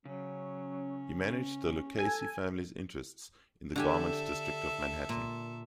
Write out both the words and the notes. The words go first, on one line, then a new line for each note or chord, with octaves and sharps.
He managed the Lucchese family's interests in the Garment District of Manhattan.
C#3 F#3 C#4
A4 G#5
D3 G4 A4 E5 G#5
A#2